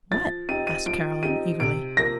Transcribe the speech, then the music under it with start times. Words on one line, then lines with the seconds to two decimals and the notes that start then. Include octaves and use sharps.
"What?" asked Caroline, eagerly.
0.12 F3 A6
0.49 C4 D#4 G4 D#7
0.67 D#7
0.86 F3 D7
1.23 C4 D#4 G4 D#7
1.60 C3 D7
1.97 F3 A#3 A#6